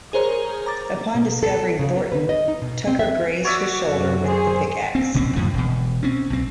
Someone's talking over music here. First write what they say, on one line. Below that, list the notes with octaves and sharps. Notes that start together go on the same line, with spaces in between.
Upon discovering Thornton, Tucker grazed her shoulder with the pickaxe.
G#4 A#4 C5 C#5 A#5
A#5 D6 A6
B2
A4
C#3
B3
B4
D#5
D#4
B2
C4
E5
F#4 C#5 D5 E5
F#2
G#4 C5
C4
F#1 B2 C4 C#4
F2 A2 D3 F3
E1 B2
C4 C#4
B1 C4